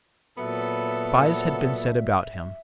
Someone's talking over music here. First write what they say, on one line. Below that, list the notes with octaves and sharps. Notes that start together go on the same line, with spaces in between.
Spies had been set about him.
A#2 F#3 B3 A4 E5